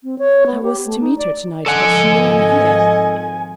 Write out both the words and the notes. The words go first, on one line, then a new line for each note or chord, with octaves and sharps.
"I was to meet her to-night; does she know I'm here?"
C4
C#5
B3
G4
A3
D#4
D5
G#1 F3 A4 D#5 F#5 G#5